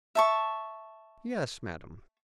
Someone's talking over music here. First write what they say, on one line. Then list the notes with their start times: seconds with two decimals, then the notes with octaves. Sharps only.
"Yes, madam."
0.15 E5 A5 C#6